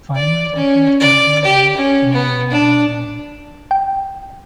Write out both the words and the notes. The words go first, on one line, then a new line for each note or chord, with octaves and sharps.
Five months after its original release, Boom, Boom, Boom, Boom!!
D5
C#4
D5
G4
C#4
B3
D4
G5